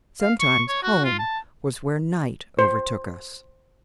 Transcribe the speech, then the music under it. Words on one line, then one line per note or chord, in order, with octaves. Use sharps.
Sometimes home was where night overtook us.
F5
C#6
C#5
F#4
F4
A5
C5